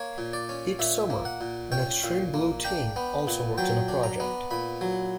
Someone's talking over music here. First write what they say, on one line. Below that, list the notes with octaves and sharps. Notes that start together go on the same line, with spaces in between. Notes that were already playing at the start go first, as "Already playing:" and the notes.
Each summer an Extreme Blue team also works on a project.
Already playing: A#3 C#5
A#2
D5
C#4
A#2 E5
A#3
F#5
A#2
C#4 G5
A#2
A#3
D4 G5
B3
A#2
F#3 G5
D4
A#5
B3
A#2 B5
F#3